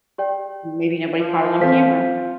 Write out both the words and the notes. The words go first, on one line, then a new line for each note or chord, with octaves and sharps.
Maybe nobody caught it on camera.
G4 D5 G5
F3
E3 C4 F4 A4 C5 B6